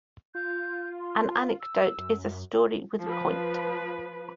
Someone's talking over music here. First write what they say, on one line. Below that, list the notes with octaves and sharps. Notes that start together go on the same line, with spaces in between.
An anecdote is a story with a point.
F4 G6
C6
E6
F#2
F3 B4